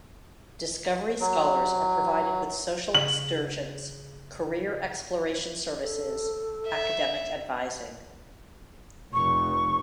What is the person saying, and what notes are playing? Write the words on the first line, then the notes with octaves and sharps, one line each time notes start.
Discovery Scholars are provided with social excursions, career exploration services, academic advising.
F#3
C#3 F#7
A4
E5
F1 C#6